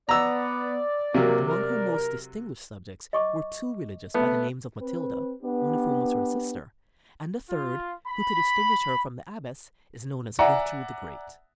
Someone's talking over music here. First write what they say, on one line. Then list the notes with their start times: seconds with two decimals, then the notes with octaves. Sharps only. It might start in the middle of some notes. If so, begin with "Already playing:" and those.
Among her most distinguished subjects were two religious by the name of Matilda, one of whom was her sister, and a third, who, to distinguish her from the abbess, is known as "Gertrude the Great."
0.09 B3 D5 A#5 E6
1.14 C3 F#3 A#3
1.47 A#4
3.13 D#5 C#6 D6
4.14 A3 B3
4.80 C4 B4
5.42 B3 D4 G4 B4
7.50 F4
8.07 B5
10.39 D5 E5 F#5 G#5 A#5